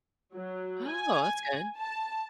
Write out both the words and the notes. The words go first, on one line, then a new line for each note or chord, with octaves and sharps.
Oh, that's good.
F#3
G#5
A5